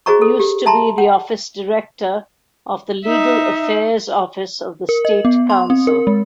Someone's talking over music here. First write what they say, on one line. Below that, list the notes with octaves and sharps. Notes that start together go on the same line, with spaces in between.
Used to be the office director of the legal affairs office of the state council.
F#4 G#4 C5 D#5 A#5 C#6
A4
G4
E5 A5 A#5 C6
F#5
D#4 E5
A#4
D#5
B3
C6
C4
A#4
G#3